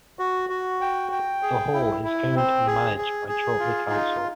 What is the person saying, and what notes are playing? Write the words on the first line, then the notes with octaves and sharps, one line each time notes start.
The Hall is owned and managed by Chorley Council.
F#4
F#4
G5
G5
G#4
E4
E4
C4
G#4
G#4
G#4
F4
D#4